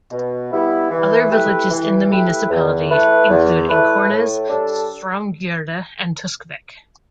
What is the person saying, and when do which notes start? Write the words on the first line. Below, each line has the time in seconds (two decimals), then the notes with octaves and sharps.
Other villages in the municipality include Ikornnes, Straumgjerde, and Tusvik.
0.12 B2
0.52 G3 B3 E4
0.91 E3
1.30 A3 E4 G4 B4
1.70 E3
2.10 A3 E4 G4 B4
2.50 E2
2.90 E3 A3 E4 B4
3.29 E2
3.68 E3 A3 E4 B4
4.09 A2
4.49 G3 D4 A4